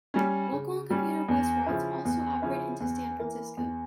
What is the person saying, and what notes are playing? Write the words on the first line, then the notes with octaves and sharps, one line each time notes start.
Local and commuter bus routes also operate into San Francisco.
G3 C#4
C#3
G3 C#4
E2
C#3 F3 C#4 E4
E2
C#3 F3 C#4 E4
E2
E3 A#3 E4 A#4
E2